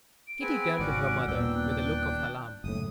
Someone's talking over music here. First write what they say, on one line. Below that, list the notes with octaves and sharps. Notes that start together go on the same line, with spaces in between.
Kitty turned to her mother with a look of alarm.
D7
B3 C4 G#4
G#1 C#4 F#4 D5
D#1 A#2 B3 D4 G5 E6
F#6
F#1 A2 D#6